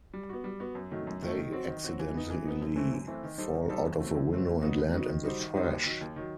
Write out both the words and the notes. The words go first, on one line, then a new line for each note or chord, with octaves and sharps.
They accidentally fall out of a window and land in the trash.
G3
B3 F#4
G3
B3 F#4
F#2
D#3 F#3 A3
F#2
D#3 F#3 A3
D#3
F#3 C4 F#4
D#3
F#3 C4 F#4
E3
B3 D#4
E3
B3 D#4
F#2
E3 A3 C4 E4
F#2
E3 A3 C4 E4
D#3
G3 D#4 A4 C5
D#3
G3 D#4 A4 C5
F#2
F#3 A3 C4
F#2
F#3 A3 C4
A2
F#3 B3 D#4 F#4
A2
F#3 B3 D#4 F#4
D#3
G3 D#4 F#4 C5
D#3
G3 D#4 F#4 C5
D#2
D#3 F#3
D#2
D#3 F#3